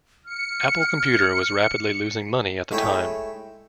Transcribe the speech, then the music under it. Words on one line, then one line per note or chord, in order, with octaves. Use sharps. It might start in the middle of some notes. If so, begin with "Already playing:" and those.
Apple Computer was rapidly losing money at the time.
F6 C#7
G#3 A3 E4 C#5 G5 D#6